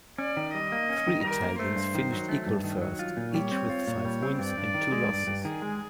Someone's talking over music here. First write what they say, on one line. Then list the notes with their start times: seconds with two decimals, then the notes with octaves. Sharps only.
Three Italians finished equal first, each with five wins and two losses.
0.18 C#4 D5
0.37 D#3
0.54 G3 D#5
0.72 A#3
0.89 C#4
1.07 D#3
1.24 G3 A#4
1.42 A#3
1.59 A3 C5
1.76 G2
1.95 D#3
2.12 F#3
2.29 A3
2.47 G2
2.64 D#3
2.82 F#3
2.99 F4
3.17 A#2
3.34 G3 C#5
3.51 C4
3.69 F4
3.88 A#2
4.05 G3
4.22 C4
4.39 G2 D5
4.58 G2
4.74 D#3
4.92 G#3
5.09 G2
5.27 G2
5.45 D#3 G#4
5.62 G#3